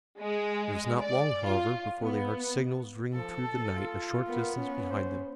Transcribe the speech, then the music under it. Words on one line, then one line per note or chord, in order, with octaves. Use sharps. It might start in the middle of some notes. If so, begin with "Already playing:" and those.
It was not long, however, before they heard signals ringing through the night a short distance behind them.
G#3
D5
F4
B3
F3 A4
A5
F4
B3 A#4
C#4
C5